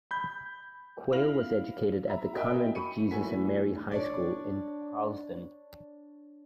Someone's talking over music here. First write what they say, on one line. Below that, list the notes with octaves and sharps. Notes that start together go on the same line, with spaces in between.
Quayle was educated at the Convent of Jesus and Mary High School in Harlesden.
B5 G6
E4 F5 F6 A#6 F7 F#7
E5 A#5
F#4 A#4 D#5 E5 G5 G#5
B5 C#6 C#7 D#7
F#1 E3 A3 F#4 G#5 B6
D4 C#5 D5